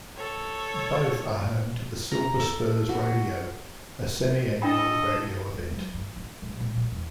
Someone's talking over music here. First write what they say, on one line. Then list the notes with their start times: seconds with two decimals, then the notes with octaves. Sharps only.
Both are home to the Silver Spurs Rodeo a semi-annual rodeo event.
0.16 A4 C#5
2.11 A#5
2.40 A4
2.89 F#4
4.62 D4 A4 D#5 G5 B5
5.54 E2
5.72 F#3
5.94 G2
6.16 A3
6.42 A#1
6.60 A#2
6.77 E3
6.91 E2